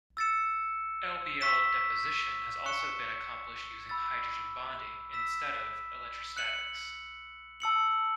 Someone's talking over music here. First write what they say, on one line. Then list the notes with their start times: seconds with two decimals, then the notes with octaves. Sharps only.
LbL deposition has also been accomplished using hydrogen bonding instead of electrostatics.
0.17 E6 A6 C#7 E7
1.41 C#6 E6 B6 E7
2.66 C#6 F#6 C#7 E7
3.89 B5 E6 A6
5.13 E6 B6 E7
6.37 F#6 C#7 F#7
7.60 A5 E6 C#7 F#7